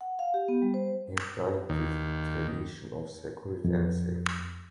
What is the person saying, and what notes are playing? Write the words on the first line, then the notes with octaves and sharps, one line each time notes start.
Implying the tradition of Security and Safety.
F#5
F5
G4
B3
G3
C5
D#2
F2